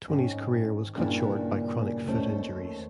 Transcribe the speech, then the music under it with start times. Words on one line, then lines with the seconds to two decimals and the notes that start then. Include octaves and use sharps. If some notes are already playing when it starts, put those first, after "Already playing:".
Tony's career was cut short by chronic foot injuries.
0.08 G#2 D#3 C#4
0.96 G2 A#2 C#3 A#3 D4 E4
2.07 D#2 A3 C#4 C5